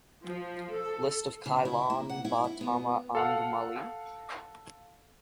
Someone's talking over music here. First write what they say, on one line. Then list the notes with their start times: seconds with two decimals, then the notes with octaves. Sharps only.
List of Kailan Ba Tama ang Mali?
0.24 F3
0.71 A4
1.46 C#3
1.65 E4
1.90 A#3
2.09 F#5
2.25 E4
2.44 E4
2.61 B3
3.15 A4 F5 F#5